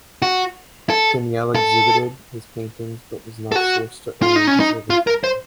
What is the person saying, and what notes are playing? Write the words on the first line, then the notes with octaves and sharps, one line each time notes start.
Daniell exhibited his paintings but was not forced to earn his living from them.
F#4
A4
A4
A4
F#4
F4
D#4
C#4
D#4
F4
A#4
C5